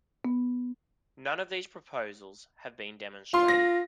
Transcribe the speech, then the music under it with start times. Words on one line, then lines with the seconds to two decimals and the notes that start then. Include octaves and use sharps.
None of these proposals have been demonstrated.
0.25 B3
3.34 F4 C6
3.48 A#6